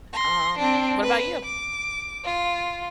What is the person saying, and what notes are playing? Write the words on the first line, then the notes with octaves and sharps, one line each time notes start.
Um, what about you?
C6 A#6
C4 D4
B4
D6
F4